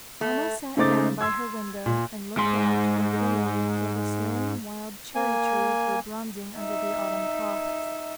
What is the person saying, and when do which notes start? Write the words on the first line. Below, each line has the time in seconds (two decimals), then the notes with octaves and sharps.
Alma sat down by her window and looked out over the lane where the slim wild cherry trees were bronzing under the autumn frosts.
0.21 A3
0.77 C#3 A3 D#4 C5 D6 A6
1.21 C6 E6 G#6
1.86 A#2
2.37 G#2 C6
5.15 A#3 G#5
6.59 D#4 E5